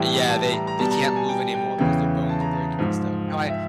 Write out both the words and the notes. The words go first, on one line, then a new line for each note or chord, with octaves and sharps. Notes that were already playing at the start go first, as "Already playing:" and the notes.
Yeah. They they can't move anymore because their bones are breaking and stuff. No. I
Already playing: A2 E3 G3 G5
A5
A#5
A#5
B2 G3 A5
A#5
A5
G#5
G5
G5
E2 C#3 E3 G5
A5
A#5
A5
G#2 F3
G5
E5